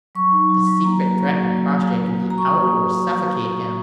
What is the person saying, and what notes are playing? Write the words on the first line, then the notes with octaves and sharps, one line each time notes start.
The secret threatened Crossjay to be out or suffocate him.
F#3 C#6
D#4
F#3
F#3
A#3 A#5
F#4
A#3
A#3
F#3
F#3
F#3
F#3
F#4
A#5
A#3 C#6
D#6
F#3